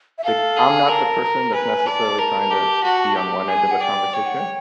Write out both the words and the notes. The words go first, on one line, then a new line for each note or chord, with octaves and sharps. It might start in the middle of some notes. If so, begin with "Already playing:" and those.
like, I'm not the person that's necessarily trying to be on one end of a conversation,
E5
A4 F5
G#4
A#4 A5
A#5
B4 G#5
D5 A5
A#4 A5
G4
F#4
G4
G#4 G#5
F#5
D5 G5
C#5 G5
F#5
G5